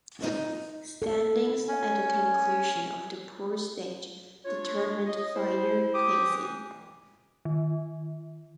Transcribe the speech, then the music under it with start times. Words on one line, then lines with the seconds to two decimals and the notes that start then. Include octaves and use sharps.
Standings at the conclusion of the pool stage determined final placings.
0.23 D#4
1.02 A4
1.68 C#4
4.45 D4 F4 C#5
5.07 D#5
5.35 E4 C5
5.94 G4 D6 D#6
6.26 E3
7.45 D#3